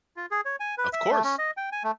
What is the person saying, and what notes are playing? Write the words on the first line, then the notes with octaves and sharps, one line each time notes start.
Of course,
F4
G#4
C#5
G#5
B4
E5
A3
C#4
D#5
G5
G#5
A3